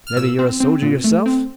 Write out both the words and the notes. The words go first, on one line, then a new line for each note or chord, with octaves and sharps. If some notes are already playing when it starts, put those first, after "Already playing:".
"Mebbe you're a sojer yourself?"
F6
A#2 E6
C4
C4
A#2
A3
C4